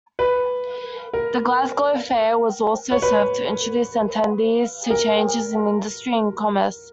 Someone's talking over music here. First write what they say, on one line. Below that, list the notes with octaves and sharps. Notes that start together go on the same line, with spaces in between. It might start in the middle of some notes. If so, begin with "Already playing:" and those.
The Glasgow Fair also served to introduce attendees to changes in industry and commerce.
B4
A#4
C#5
B4
A#4